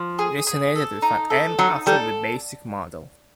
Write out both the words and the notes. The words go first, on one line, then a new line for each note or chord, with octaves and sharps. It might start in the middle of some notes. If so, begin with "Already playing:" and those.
Designated with an "M" after the basic model.
Already playing: F3
G#4
G#4
A4
D#4
A4
F#3 D#4
G3 A4